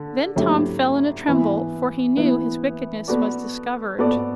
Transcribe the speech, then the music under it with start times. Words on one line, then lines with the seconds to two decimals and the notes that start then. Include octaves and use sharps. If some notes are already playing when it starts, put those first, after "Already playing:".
Then Tom fell in a tremble, for he knew his wickedness was discovered.
Already playing: D3
0.36 D3 F#3 A3 E4 G4
1.27 E3 B3 E4
2.17 E3 B3 E4
3.08 B3 F#4 A4 D5
3.98 B3 F#4 A4 D5